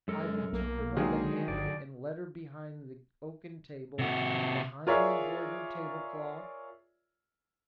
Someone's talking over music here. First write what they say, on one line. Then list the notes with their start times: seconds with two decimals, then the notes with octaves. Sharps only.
Ivan took her by the hand and led her behind the oaken table, behind the embroidered tablecloth.
0.08 F#2 G#3 A4 A#4
0.53 B1 A#3
0.97 D3 D#3 F#3 G#3 G#4
1.48 G1 D3 D5
3.99 C3 F#4
4.87 F4 G#4 A#4 C#5 D5 E5